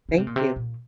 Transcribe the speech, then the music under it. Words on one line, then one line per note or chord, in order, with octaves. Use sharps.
Thank you.
C#3
C3
A#2
C3
A#2